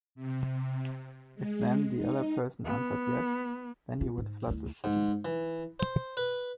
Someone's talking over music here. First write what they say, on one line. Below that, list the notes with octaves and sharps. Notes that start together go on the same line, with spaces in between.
If then the other person answered "yes", then he would flood the city.
C3
G#3
D#4
B3
F4
G#2
D2 E4
G#2
E3
C5
B4